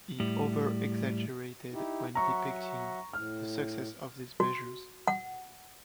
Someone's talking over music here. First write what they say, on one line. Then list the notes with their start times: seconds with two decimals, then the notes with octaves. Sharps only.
He overexaggerated when depicting the success of these measures.
0.20 A2 G3
1.73 D#4 E4 G4
2.15 F#3 E5 F#5 A#5 C#6
3.13 A2 F6
4.40 F#4
5.07 F#5